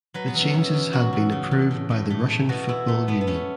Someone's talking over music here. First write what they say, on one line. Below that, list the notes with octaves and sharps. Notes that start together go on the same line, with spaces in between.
The changes had been approved by the Russian Football Union.
F#3 B4
B3
E2
C#4
B2 E4
E2
F#3 F#4
E2
C#3
E2
A2
A2
A3
A3
B2 F#4
B2 E4
A3
A3 B3
B3
A3 C#4